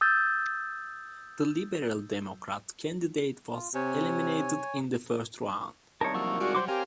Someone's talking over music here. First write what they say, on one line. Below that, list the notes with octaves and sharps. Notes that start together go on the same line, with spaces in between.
The Liberal Democrat candidate was eliminated in the first round.
D#6 E6 G6 A6
F4
C3 C#5 G#5
C2 D#3 A#4 C#5 A5
F3 F#3 A#3 C#6 E6
G#3 F4 F#4 D5
F#3 G3 C5 C6 D6
C4 G4 A#4 C#5 F5 G5 G#5